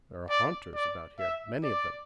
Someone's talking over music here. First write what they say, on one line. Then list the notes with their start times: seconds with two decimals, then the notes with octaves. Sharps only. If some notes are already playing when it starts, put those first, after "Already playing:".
There are haunters about here,--many of them.
0.29 D5
0.75 D5
1.19 E5
1.64 D5